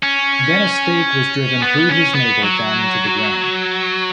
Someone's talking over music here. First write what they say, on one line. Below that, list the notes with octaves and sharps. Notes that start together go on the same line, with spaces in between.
Then a stake was driven through his navel down into the ground.
C#4
B3
C#4
B3
F#3